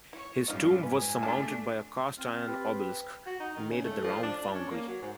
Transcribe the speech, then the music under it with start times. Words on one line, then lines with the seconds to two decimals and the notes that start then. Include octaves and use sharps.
His tomb was surmounted by a cast iron obelisk made at the Round Foundry.
0.13 E4 C#5
0.48 F#2 A2 G3 C#4 D#4 F4 D#5
0.83 G#2 B4 G#5
1.23 A3 D4 F4 A5
2.18 C4 F4
2.48 G4 B4
3.26 F#4
3.40 D#4
3.57 D#3
3.70 C#3
3.84 A3
4.04 F3
4.23 D4
4.37 D4
4.54 C#4
4.71 A#3
4.88 F#3
5.02 G#2